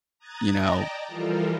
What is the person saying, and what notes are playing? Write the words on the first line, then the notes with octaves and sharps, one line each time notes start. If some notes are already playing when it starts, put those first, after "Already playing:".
you know,
A#5 D#6 F#6 G#6 A6
D5 D#5 G5 A5 A#5 D6
E3 F3 G3 F4 A4 A#4